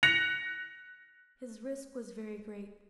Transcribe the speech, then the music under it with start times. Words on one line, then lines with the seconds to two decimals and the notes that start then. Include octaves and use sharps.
His risk was very great.
0.03 F#6 A#6 C#7 F7